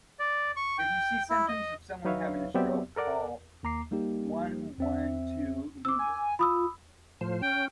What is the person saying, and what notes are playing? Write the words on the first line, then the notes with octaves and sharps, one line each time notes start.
If you see symptoms of someone having a stroke call one-one-two immediately.
D5
C#6
G5
E4
D#5
F#3 D#4 B4 C#5 E5 F5
F#3 B3 C4 G4 D5 E5
A4 A#4 D5 F#5
D#2 A#3 A#5 D6 C7
G3 A#3 D#4 G4
E2 C4 E5
C4 D6 E6
G#5
F4 B5 D#6 E6
A2 F3 C5
C#4 G5